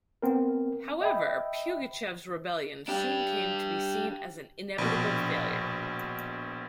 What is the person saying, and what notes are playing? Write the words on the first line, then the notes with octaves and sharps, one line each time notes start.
However, Pugachev's Rebellion soon came to be seen as an inevitable failure.
B3 C4 A#4
D#5 E5 G5 B5
D4 G4
A#1 B2